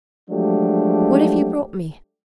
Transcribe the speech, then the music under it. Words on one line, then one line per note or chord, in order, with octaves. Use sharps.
What have you brought me?'
F3 F#3 G#3 A3 D4 G4